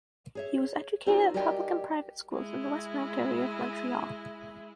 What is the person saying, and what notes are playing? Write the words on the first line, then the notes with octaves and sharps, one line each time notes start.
He was educated at public and private schools in the Westmount area of Montreal.
G#4 C#5 E5
D#4 F4 F#4 A4 C5 D5
G4 A#4 D5 D#5 G5 G#5
G#3 E4